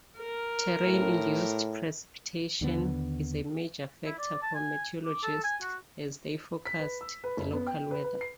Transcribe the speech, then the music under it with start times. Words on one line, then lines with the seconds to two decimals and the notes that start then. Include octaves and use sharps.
Terrain-induced precipitation is a major factor for meteorologists as they forecast the local weather.
0.19 A#4
0.86 A2
2.61 D#2 D3 G3 B3
4.05 E4
4.18 D5
4.42 A5
4.54 G#5
5.04 D6
5.23 A4
5.44 G#5
5.62 F#4
6.66 B6
6.80 B4
7.01 E6
7.24 B4
7.37 F#1
7.53 B3
7.67 G5
7.91 B4
8.04 B4
8.21 C7